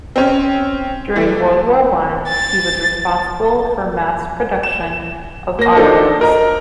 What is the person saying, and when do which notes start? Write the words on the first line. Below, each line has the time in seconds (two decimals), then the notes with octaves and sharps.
During World War One, he was responsible for mass production of armaments.
0.16 C4 C#4
1.16 E3 A3
2.28 A6
4.63 E7
5.59 A#3 A#6
5.76 D4 D#4 F4 A4 A#4 C5
6.21 A#4 D#5 A#5